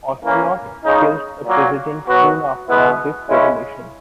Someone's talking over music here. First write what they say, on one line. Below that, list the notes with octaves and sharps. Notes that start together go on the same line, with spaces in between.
Ocelot kills the President soon after this revelation.
E3 A#3 C#4
C#3 G#3 D#4
A#2 F#3 A#3
F#3 B3 F#4
B2 G#3 B3 E4
C#3 G#3 C#4 E4